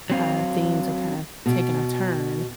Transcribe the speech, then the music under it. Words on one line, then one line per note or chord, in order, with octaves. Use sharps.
uh, things are kinda taking a turn.
F#3 C4 F5
B2